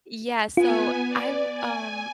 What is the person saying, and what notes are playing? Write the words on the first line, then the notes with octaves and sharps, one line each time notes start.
Yeah, so I'm, um,
B3 F4 G#5
D5
G#5